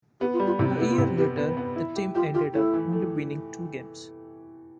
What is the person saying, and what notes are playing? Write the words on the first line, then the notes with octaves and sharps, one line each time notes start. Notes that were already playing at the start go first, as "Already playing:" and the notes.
A year later the team ended up only winning two games.
B3 G4
F4
G3
F4
C3 E4
C4
B3 E4
F4
C3 E4
B3 G4
B3
B3
E4
G4
F4 G4
F4 G4
A3 E4
E3
A3